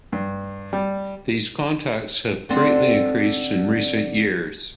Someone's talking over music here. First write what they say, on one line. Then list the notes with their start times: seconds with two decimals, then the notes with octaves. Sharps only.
These contacts have greatly increased in recent years.
0.12 G2
0.73 G3
2.49 D3 C4 D4